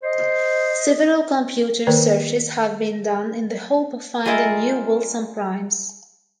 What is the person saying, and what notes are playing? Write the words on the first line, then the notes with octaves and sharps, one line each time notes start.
Several computer searches have been done in the hope of finding new Wilson primes.
C5 D#5
D#3 A#3 A#4 C5 D5
G3 F4 G#4 A#4 D#5 E5